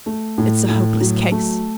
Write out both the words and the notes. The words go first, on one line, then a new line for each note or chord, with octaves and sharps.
It's a hopeless case!
A3
A2
A2
F#3
A3